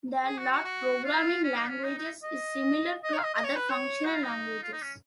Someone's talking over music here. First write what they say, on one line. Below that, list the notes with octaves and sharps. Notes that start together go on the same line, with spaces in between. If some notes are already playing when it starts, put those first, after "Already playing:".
The Lout programming language is similar to other functional languages.
G#4
F#4
F#4
F#4
F4
C#4
D#4
C#4
D#4
D#4
D#5
D#5
C#5
F5
D#5
D#5
C#5
B4
C#5
F#4
F4
D#4
F4
D#4
C#4